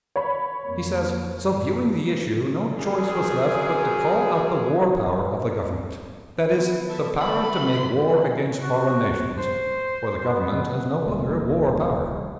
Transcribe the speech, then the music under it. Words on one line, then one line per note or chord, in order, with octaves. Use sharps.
He says, "So viewing the issue, no choice was left but to call out the war power of the Government." That is the power to make war against foreign nations, for the Government has no other war power.
C#5 B5
F2 A#3
F#2 B2 E3
F#2 G#4
B3
A4 E5
A3 D4 A4 B5
F#4
C5
B3
D#1 C2 A3 A#3